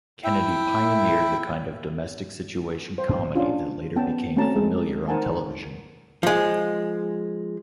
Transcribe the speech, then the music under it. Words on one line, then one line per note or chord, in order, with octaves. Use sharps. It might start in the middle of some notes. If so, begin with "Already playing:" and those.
Kennedy pioneered the kind of domestic situation comedy that later became familiar on television.
E4 E5 G5
C5
C#4 D4 F4
B3 C#4 G5 A5
A3 C4 C#4 F#4 A5 A#5
G#3
D#4 A#4 C5 F#5 G#5 A5
F3 G#3